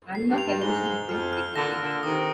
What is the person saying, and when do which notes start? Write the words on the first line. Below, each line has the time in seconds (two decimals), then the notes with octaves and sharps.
Analogue television has been declining.
0.15 C7
0.30 G2
0.38 F7
0.46 G2
0.62 G#2 G7
0.85 G7
1.08 F2 F6
1.33 F6
1.56 A#2 D3 A#6
1.79 A#2 D3 A#6
2.03 C3 D#3 D#6